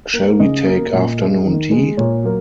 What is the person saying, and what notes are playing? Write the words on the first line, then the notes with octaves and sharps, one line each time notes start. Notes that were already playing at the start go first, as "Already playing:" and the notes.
Shall we take afternoon tea?
A#3
C#3 D#5
A#3
A#2
G#3
D#3
G#3
A#2 C#5
F#3 A#3